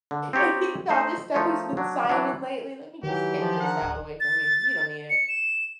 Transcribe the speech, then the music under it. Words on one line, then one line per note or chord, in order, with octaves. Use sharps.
if he saw this stuff he's been signing lately, let me just take this out away from you. You don't need it.
D3
C4 D#4 G4 C#5
A3 D#4 C5
F3 A3 D#4 F4 A#4 C#5
F#3 D4
E3 F#3 D4
D#3 E3 F#3 G4
F3
D4 G#4 A#4 F#5
D1
A6
C#7
E7